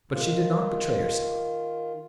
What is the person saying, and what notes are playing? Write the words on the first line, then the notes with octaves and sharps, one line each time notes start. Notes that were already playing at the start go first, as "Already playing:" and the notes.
But she did not betray herself.
D#3 F4